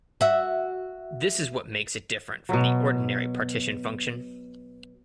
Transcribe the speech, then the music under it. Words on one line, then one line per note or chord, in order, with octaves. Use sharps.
This is what makes it different from the ordinary partition function.
F#4 E5
B2 F#3